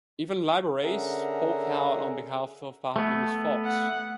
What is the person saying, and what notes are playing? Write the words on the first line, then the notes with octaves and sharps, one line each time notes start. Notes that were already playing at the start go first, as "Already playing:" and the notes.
Even Liberace spoke out on behalf of the "Fabulous Fox".
D3 C#4 G#4 A#4 E5 F#5
A3 B3
F#5